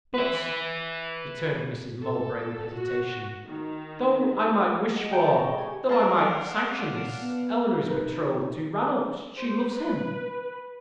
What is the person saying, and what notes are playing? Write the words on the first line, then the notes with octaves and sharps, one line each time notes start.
"But," returned Mrs. Mowbray, with hesitation, "though I might wish for--though I might sanction this, Eleanor is betrothed to Ranulph--she loves him."
B4 E5
A4
F#4
D#3
G#3 G#4 F#5
E3 F4 G5 A#5
E4 D#5 A5 B5 C#6
G#4 A4
A2 G4 G#5
A#3 D4 F5 F#5 A5 A#5
B3
D#4 E4 A#4 B4
C5
B4